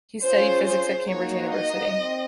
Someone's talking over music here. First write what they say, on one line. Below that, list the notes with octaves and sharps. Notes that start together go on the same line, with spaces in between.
He studied physics at Cambridge University.
C#4 F4 G#4 C5
C5
A#3 D#4 F#4 C#5
D#5
C4